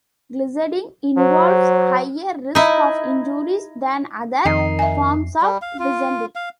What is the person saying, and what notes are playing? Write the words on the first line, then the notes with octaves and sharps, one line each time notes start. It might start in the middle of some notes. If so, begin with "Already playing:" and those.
Glissading involves higher risks of injuries than other forms of descending.
F#3 C5
D#4 E4
F2 D#3 D#4 C7
E5 G#5
G3
F5
F4
F5